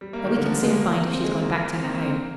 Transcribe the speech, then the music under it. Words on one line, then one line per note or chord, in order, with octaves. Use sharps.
But we can soon find if she's gone back to her home.
G3
A#3
D#3
D3
F3
G3
G#3
A#3
C4
G#3
A#3
C4
A#3
C4
A#3